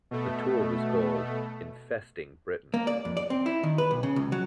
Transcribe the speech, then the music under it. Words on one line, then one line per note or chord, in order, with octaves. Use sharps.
The tour was called 'Infesting Britain'.
B2 A3
A#3
D5
F2
D5
C4
E4
D#3
B4
B1
C#3
C#2
F#3